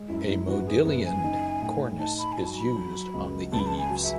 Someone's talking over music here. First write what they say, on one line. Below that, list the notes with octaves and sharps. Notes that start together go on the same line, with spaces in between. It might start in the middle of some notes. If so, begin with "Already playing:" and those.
A modillioned cornice is used on the eaves.
Already playing: G#3
F#2 E4
E4
E3 F#4
G#4
F#1 B4
G#5
D#4
A2
D#4 A5
B5
G#5
F#3 A5
B5
F#3
C#2
C#2 A5
B5
A5
G#5
F#3
E5